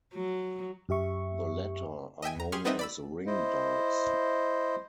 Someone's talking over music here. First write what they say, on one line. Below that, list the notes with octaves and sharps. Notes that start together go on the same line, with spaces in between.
The latter are known as ring dikes.
F#3
F#2 G4 E5 C#6
D#5 E5 G5 G#5
E2 A#5
G4 G#4 C6 C#6 F6
G3 B3 C4 D#4 D#5 E5
D5 B5 E6
E4 C5 D#5